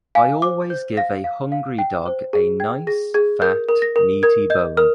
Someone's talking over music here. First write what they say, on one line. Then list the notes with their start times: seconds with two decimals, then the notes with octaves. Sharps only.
I always give a hungry dog a nice, fat, meaty bone.
0.15 F5 G#5
0.42 C5 D6
0.70 C5 G6
0.97 F5 A#6
1.24 F5
1.52 F5
1.78 G5
2.06 C5
2.33 G#4
2.60 G5 G#6
2.87 G#4 A#6
3.14 G#4 G#6
3.42 A#4 G6
3.69 A#4
3.82 A#6
3.96 A#4
4.23 A#4 G#6
4.50 D#5 G6
4.77 A#4 F6